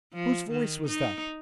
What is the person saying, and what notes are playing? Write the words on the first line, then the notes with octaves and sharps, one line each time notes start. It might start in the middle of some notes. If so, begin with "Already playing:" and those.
"Whose voice was that?"
F3
D#3
D#4